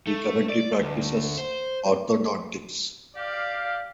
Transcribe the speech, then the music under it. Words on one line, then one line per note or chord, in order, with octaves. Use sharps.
He currently practices orthodontics.
A3
D5
D2
C5
G4 D5 F5